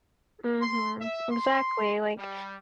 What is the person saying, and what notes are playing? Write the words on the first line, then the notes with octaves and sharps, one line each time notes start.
Mhm, exactly, like,
C6
E5
C6
G3